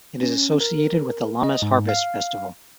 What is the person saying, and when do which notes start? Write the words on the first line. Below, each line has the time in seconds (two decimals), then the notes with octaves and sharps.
It is associated with the Lammas harvest festival.
0.23 C#4
0.60 A#4
1.44 D#5
1.62 G#2
1.89 F5